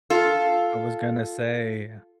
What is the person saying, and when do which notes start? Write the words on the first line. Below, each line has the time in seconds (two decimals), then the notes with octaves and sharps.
I was gonna say
0.10 F4 A4